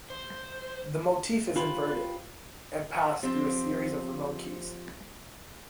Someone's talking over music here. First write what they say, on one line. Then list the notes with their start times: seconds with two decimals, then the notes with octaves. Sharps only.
The motif is inverted, and passed through a series of remote keys.
0.10 C5
1.56 F4 G4 B4 C5
3.23 F3 C4 G4